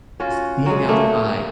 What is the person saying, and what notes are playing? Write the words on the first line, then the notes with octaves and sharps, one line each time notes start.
just being outside,
C#4 F4 F#4
F#3 G#3
G2 A3 A#3 D4